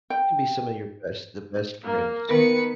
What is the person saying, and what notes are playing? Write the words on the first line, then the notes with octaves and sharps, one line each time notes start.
To be some of your best the best friends.
G5
A#3
D#3 B3 A#4 B4 C#7